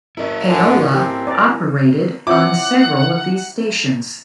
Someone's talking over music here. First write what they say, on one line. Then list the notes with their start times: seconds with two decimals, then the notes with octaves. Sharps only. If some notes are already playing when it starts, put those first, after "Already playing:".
Payola operated on several of these stations.
0.17 C#4 E4 A#4 D#5
0.49 D3 A#4 G#5
0.94 C4 G4
1.27 D5 G#5 A#5 C6
2.27 C4 E4 F4 C#5 F#5 D6